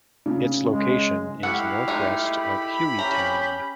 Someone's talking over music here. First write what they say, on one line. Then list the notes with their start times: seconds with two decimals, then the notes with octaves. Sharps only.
Its location is northwest of Hueytown.
0.26 C#3
0.65 G#3
1.43 E4 F#4 G4 A4 F5 F#5
1.88 G#3 A3 D#4
2.35 B5
2.99 C#4 G4 A#5 G6